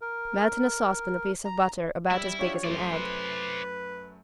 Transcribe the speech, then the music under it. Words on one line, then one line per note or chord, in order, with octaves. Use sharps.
Melt in a saucepan a piece of butter about as big as an egg.
A#4
A#5
G3 E4 E5
D4 F4 G4 C#5
F#2 A3 C5 D5
B4